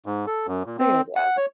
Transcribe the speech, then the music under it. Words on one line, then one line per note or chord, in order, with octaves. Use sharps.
a good idea.
G#2
A4
F#2
A#2
C4
F#5
C#5